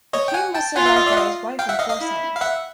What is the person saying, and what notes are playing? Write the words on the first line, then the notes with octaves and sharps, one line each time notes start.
Hakim was survived by his wife and four sons.
C#5 D#5
G5
F#5 G#5
G5 A5
F4 F#5 G#5
E5 F#5
D#5 F5
D5 E5
F#5
D#5 F5
F5 G5
E5 F#5
D#5 F5
D#5 F5
E4
F5
E5 F#5